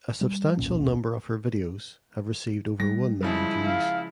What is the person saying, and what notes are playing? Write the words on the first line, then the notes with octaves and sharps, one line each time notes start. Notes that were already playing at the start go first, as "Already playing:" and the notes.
A substantial number of her videos have received over one million views.
G3
D#1 B1 A#2 C#4
G3 A#6
C#3 F3 G#3 E4
F5